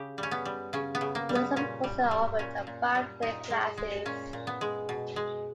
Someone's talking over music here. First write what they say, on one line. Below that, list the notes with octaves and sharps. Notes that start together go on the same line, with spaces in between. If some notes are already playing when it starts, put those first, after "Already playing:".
Most of the courses offered are five-day classes.
Already playing: C#3 G4
G3
C#4
B3
G3
C#3 C#4
B3
C#3
A#3
G3
B3
A#2 C#4
G3
G3
A#2 C#4
A#2
G3
A#2 D#4
G#3
G#3
A#2 C#4
A#2
B3
G#3
B2
G#3